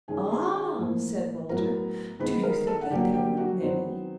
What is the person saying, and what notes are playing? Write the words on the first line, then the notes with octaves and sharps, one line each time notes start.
'Ah!' said Walter, 'do you think that there were many?'
D#3 G#3 C#4 G#4 G#5
G#4 G#5
G#4 G#5
A2 F3 A#3
A2 F#3 B3 A#4 A#5
D#3 G#3 B3 B4 B5
A#4 A#5
A4 A5
F#5
D3 F#3 A#3 G4 G5
G4 G5
F#4 F#5
D#3 F#3 B3 C4 C5